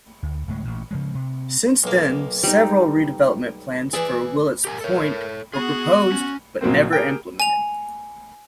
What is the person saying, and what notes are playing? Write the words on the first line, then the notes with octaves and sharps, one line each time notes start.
Since then, several redevelopment plans for Willets Point were proposed, but never implemented.
D2
D1 A2 G#3
A1 A#2
C#3 F3 G#3
C3
B1 A#3
G3 D#4
E3 E4 G#4 D5
G4 A#4 G#5
A4 A#4 C#5
B3 F#4 G#4
C#4
A#1 F#3 A#3 C4
G4 G#4 A#4 G5
G#5 F7